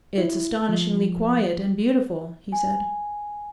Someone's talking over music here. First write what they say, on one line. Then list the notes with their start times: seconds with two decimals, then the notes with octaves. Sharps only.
'It's astonishingly quiet and beautiful,' he said.
0.18 E4
0.69 F3
2.52 G#5